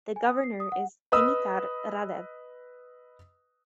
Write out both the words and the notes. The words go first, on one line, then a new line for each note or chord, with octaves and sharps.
The governor is Dimitar Radev.
G#5
D#6
C7
D#6
F#5
B4 D#5 D#6 E6